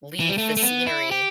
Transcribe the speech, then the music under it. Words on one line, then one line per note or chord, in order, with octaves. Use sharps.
leave the scenery
E3
G3
A3
A3
B3
E4
G4